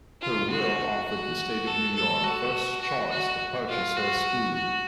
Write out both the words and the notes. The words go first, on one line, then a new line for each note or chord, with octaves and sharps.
Her will offered the State of New York first choice to purchase her school.
F4
F#4
F#4
A4
A4
F#4
F#4
F#4
F4
F#4
F#4